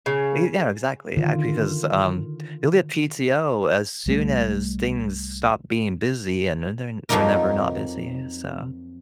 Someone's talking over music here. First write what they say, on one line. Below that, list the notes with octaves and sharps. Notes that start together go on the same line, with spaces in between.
Ye yeah, exactly, a because, um, you'll get PTO as soon as things stop being busy, and I know they're not they're never not busy, so
C#3
D3 D#3 F4
C2 G3 A3
F2 F3 F#3 A#3 D#4 A#4